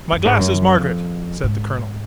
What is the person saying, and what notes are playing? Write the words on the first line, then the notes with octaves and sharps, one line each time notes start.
"My glasses, Margaret!" said the colonel.
F#2
G#2
F#2
F2
G#2